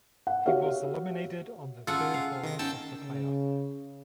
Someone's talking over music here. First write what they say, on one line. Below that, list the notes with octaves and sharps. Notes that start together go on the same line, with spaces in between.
He was eliminated on the third hole of the playoff.
F#5
F#4 G4 C#5 E5 F5
C#3 F4 G#4 A4 F#5 G#5
F5
D#3 A#6
B3 C#4 D#4 G5 A5 E6
C#3